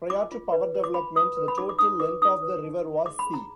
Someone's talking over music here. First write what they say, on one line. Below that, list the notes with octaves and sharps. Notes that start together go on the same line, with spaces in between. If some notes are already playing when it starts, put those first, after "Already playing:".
Prior to power development the total length of the river was c.
F4 D6
F4
B4
B4
D6
F4 B5
B4 D#6
B4
B5
D#4 D6
D6
D#4 D#6
B4 D6
D#4 D#6
B4
D#4
D#4
G#4 D6
B5
G#4
A#5